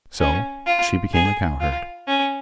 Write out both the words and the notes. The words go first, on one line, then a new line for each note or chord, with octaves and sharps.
So she became a cowherd.
C#4
F4
G#4
F4
C#4